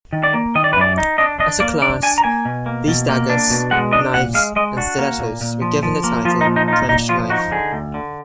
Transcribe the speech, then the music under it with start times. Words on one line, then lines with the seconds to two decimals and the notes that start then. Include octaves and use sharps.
As a class, these daggers, knives, and stilettos were given the title trench knife.
0.13 D#3
0.23 D5
0.33 A#3
0.55 D#3 D#5
0.64 D5
0.73 B4
0.76 F#2 D5
0.98 D#4
1.18 D4 D#5
1.40 D4 D#5
1.60 A#3 D5
1.82 D4 D5
2.03 D4 G#5
2.18 A#5
2.24 A#3 G#5
2.45 B2
2.66 A#3
2.88 B2
3.09 A#3
3.30 D4
3.50 B2
3.71 G#3 F#5
3.93 D4 D#5
4.14 A#2 F#5
4.35 G#3 F5
4.56 G#3 D#5
4.77 D4 F#4
4.99 A#3
5.19 A#2
5.41 A#2
5.62 F3
5.83 F3
6.04 A#3
6.25 F3 F4
6.41 D#4
6.47 A#2
6.56 D#4
6.68 D#4 F4
6.88 A#2 D#4
7.09 F3 F4
7.30 D#4 F#4
7.51 D3 G#4
7.73 D2
7.94 D3